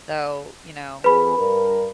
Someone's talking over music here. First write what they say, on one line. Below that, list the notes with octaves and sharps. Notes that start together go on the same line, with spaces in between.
So, you know
F2 G#4 B4 B5
G2 A#4